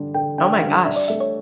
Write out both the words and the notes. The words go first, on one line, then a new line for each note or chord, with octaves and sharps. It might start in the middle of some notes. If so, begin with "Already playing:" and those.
Oh, my gosh.
Already playing: D3 G3 D4
D3 G5
D4 G5
G3 F5
D4 E5
D5
A3 E5
C#5